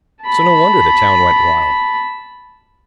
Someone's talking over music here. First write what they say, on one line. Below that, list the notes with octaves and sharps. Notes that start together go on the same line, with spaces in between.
So no wonder the town went wild!
A5 B5